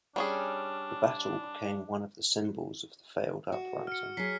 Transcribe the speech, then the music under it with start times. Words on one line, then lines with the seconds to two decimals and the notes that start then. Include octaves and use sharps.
The battle became one of the symbols of the failed uprising.
0.16 G3 C#4 D4 G#4
3.52 F#4
3.87 F6 C#7
4.17 F#3 G#4 B6 C7